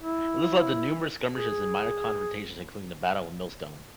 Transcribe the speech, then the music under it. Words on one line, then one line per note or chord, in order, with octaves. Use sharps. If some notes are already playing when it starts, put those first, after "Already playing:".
This led to numerous skirmishes and minor confrontations including the Battle of Millstone.
E4
G#4